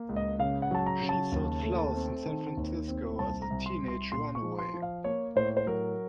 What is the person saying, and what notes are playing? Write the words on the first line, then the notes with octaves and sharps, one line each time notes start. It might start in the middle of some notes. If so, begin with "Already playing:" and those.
She sold flowers in San Francisco as a teenage runaway.
Already playing: A#3
C#2
D#5
C#3 F5
F#5
F#3 A5
A#5
C#3
A5
D#2
A3
C4
D#3
D#2
C4
C2 A5
A#5
C2
C6
C2
C6
A#2 C6
C#6
F3
C6
F3
F5
A#3 C#5
A2 C5
C#5
C5
F#3 A#4